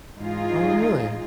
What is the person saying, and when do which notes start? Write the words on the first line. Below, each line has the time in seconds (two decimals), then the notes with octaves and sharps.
Oh, really?
0.19 G#2 E3 D#4 F4 G#4